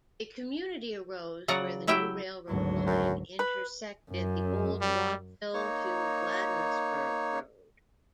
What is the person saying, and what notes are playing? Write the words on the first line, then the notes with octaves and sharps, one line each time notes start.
A community arose where the new railroad line intersected the old Rockville-to-Bladensburg road.
C#3 F#3 D5 F#5 A#5
F#3 E4 G4 E5 G5
G#1 D2 F#3
F#2
B4
F#2
G3
A#3 D#4 C#5